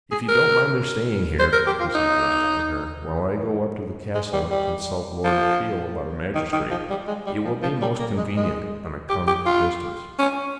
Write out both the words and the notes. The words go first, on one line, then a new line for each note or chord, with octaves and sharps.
"If you don't mind their staying here," he suggested to her, "while I go up to the castle and consult Lord Ashiel about a magistrate, it will be most convenient, on account of the distance."
G#4
A#4
C5
A#4
G4
F4
D#4
G#3
G3
G3
F3
D#3
D#3
F3
G3
G#3
G3
F3
F3
G3
A#3
G#3
G#3
G4
G4
F4
C#4